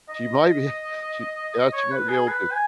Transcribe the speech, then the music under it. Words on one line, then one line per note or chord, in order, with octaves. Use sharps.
She might be she yeah, she might be able to.
D#5
D#5
C#5
B4
G#4
B4
G#5